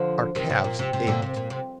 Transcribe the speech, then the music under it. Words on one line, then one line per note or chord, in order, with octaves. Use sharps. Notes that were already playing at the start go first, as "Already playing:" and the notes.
Our calves ached.
Already playing: D3 F3
C3 D#3
C3
A#2
C3
C3
A#2 D3
C3
A#2
C3